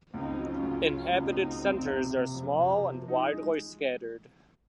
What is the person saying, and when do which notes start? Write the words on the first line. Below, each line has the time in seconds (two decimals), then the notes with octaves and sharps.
Inhabited centers are small and widely scattered.
0.14 C#2 C4 D#4
0.39 F#3
0.51 C#4 F4
0.63 C#2
0.88 F#3 C#4 F4
1.12 C#2
1.24 C4 D#4
1.36 C#2
1.61 F1 C4
1.86 C3
2.11 C3
2.34 F2
2.59 C3
2.84 F3
3.08 D#4
3.33 G#3